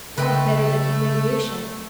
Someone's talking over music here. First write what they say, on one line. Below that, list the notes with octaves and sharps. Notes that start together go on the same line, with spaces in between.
How bitter the humiliation!
C#3 A3 B4 D#5 G5